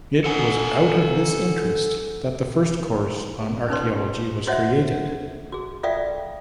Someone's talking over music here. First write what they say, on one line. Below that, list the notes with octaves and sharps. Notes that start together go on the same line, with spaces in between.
It was out of this interest that the first course on archaeology was created.
A4 F#5 G#5
C#4 D#4 A4 B4 C#5 C6
F#4 C5 C#5 D#5 E5 F#5
F#4 G#4
F4 A4 D5 E5 F5 G5